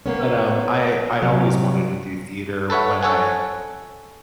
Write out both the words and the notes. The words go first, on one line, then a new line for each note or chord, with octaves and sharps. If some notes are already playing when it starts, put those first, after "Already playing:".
but, um, I I'd always wanted to do theater when I
A#3 B3 C#4
C3 F#3
A4 B4 C#5 E5 F#5
A4 C#5 F#5 G#5